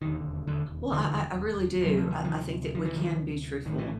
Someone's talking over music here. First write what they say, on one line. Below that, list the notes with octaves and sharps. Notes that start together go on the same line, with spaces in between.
Well, I I I really do. I I think that we can be truthful,
E1 D#2 D3 D#3
D3
D3 E3
D2 C3 F#3
F3
E3
D#3 F3
F3
E3
D#3 F3
A#1 A2 D#3
E3